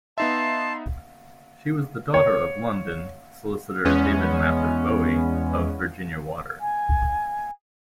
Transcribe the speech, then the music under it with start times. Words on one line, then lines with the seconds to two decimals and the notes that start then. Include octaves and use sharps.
She was the daughter of London solicitor David Mather Bowie of Virginia Water.
0.18 B3 D#4 E5 F5 A5 C6
2.14 C#5
3.85 E2 G#3 B3 C#4
6.60 G#5